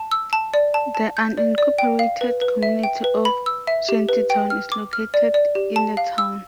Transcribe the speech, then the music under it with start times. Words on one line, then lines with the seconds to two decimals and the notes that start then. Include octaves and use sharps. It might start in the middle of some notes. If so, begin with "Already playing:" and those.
The unincorporated community of Shantytown is located in the town.
Already playing: A5
0.12 E6
0.33 A5
0.54 D5
0.74 A5
0.95 A5
1.17 G6
1.37 D5
1.58 D5
1.78 G5
1.99 F5
2.21 B4
2.41 B4
2.63 E5
2.83 G5
3.04 B4
3.25 B5
3.46 E6
3.67 E5
3.89 G4
4.09 B4
4.30 G5
4.50 F6
4.72 D6
4.93 F6
5.14 D5
5.34 D5
5.55 G4
5.76 A5
5.97 F5
6.18 E6